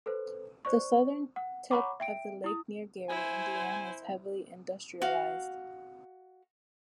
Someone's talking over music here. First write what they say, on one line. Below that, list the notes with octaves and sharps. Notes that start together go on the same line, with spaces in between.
The southern tip of the lake near Gary, Indiana is heavily industrialized.
A4 B4 C5
C5 D5 C#6
F#5
C#5 F#5 A#5 B5 C#6 D6
E5 G5 D7
E4 D#6
E4 C5 G#5
F#4 F5